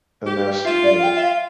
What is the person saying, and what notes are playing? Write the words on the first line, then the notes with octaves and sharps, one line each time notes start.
a nasty meal.
G4
F4 E5
D5
F5
G5
E5
F5